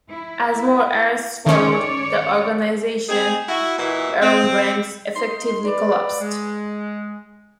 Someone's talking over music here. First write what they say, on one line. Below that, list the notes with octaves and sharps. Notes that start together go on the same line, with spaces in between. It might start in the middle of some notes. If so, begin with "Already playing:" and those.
As more arrests followed, the organisation around Reims effectively collapsed.
E4
D#3 C#4 C#5 D5
C4 D#4 G#4
E4 F#4
A#2 E3 D#4 E4 F#4
C4
D#4 C6
B4 D5
G#3